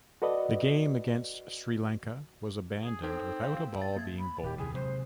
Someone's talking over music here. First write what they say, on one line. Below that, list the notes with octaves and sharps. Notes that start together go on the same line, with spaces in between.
The game against Sri Lanka was abandoned without a ball being bowled.
F#4 A4 B4 D5 D#5
G#4
C4 D#4 A4 C5
F5
A6
A#3 G#6
B5
D#1 G4
D#2 C3 E3 G#4
C3 F#3 G#3 C5